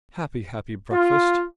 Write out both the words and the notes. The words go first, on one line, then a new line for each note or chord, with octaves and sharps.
Happy, happy breakfast!
F4